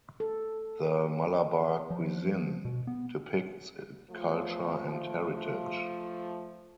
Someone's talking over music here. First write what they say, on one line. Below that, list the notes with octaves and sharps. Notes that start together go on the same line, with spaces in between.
The Malabar cuisine depicts it culture and heritage.
A4
F3
B2
B3
F3 A3